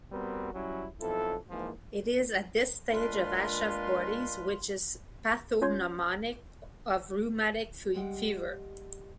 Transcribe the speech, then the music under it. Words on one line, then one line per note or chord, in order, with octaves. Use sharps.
It is at this stage of Aschoff bodies, which is pathognomonic of rheumatic fever.
G3 B3 C4 F#4 A#4
F#3 G3 C#4 E4 F#4
B1 F2 E4 A4
G#2 E3 F3 A#3
A#2 G#3 D4 B4 F5 C6
C#4 F4 C#5 C6 G6 G#6
G3 G#3 F#5 G5